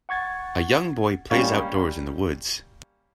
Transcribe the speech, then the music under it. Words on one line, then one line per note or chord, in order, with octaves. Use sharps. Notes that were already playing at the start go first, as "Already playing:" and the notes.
A young boy plays outdoors in the woods.
F#5 C#6 G#6 A6
G3 A#3 C#4 C#5 F5